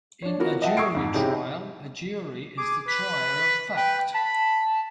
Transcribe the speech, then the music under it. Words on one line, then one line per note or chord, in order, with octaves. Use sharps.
In a jury trial, a jury is the trier of fact.
D4 C#5
E3 F3 B3 F#4 A#4
D#5 E5 F#5 G5 A5
C#6 D#6 E6 G#6 C7 D7
F2 G#2
C3 C#4 D#4 E4 G4 G#4
G#4 D6
B4 B6
B6
B4 G5
A5 B5